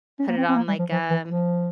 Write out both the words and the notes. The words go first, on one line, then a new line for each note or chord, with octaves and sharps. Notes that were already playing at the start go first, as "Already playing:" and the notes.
put it on, like, um,
C#4
A#3
C4
C4
A#3
G3
F3
F3
E3
F3